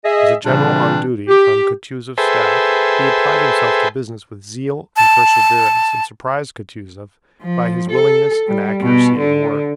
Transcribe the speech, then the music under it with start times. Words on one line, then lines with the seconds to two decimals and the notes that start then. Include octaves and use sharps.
As a general on duty on Kutuzov's staff, he applied himself to business with zeal and perseverance and surprised Kutuzov by his willingness and accuracy in work.
0.05 G#4 D#5 E5
0.44 A#2 C#3 E3 G3 C4 D4
1.28 G4
2.18 G#4 A4 B4 C5 E5 G5
4.96 A5
7.42 F3
7.90 A4
8.47 G3
8.82 B2
9.19 D3